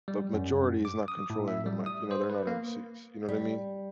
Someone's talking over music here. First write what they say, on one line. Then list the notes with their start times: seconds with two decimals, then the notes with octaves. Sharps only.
The majority is not controlling the mic, you know, they're not MCs, you know what I mean?
0.08 G3
0.34 F#2
0.85 D6
1.08 D#6
1.30 A2
1.48 E5
1.66 G3
1.86 D#6
2.11 C5
2.30 B4
2.47 A#3
3.29 G3